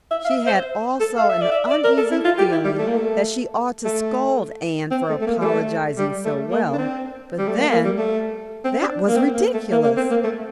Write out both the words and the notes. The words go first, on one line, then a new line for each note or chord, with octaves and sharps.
She had also an uneasy feeling that she ought to scold Anne for apologizing so well; but then, that was ridiculous!
E5
F5
E5
C5
A4
F5
E5
D5
E5
D5
A#4
A4
E4
F4
G4
E4
G3
A3
A#3
A3
A3
C4
A3
A3
A#3
G3
A3
G3
A3
A#3
D4
C4
G3
A3
A#3
A#3
G3
A3
C4
D4
A#3
C4
A#3
A3
A#3
A#3
C4
A#3
A3